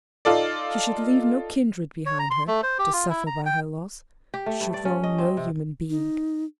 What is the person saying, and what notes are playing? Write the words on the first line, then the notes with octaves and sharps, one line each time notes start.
She should leave no kindred behind her, to suffer by her loss--should wrong no human being.
D#4 F4 A4 D5
C#5
A#5
C6
A3
C5
G4
F4
E4
A#5
G5
G4
A3
G2
D5
C#4
D#5
C4
C3
D#4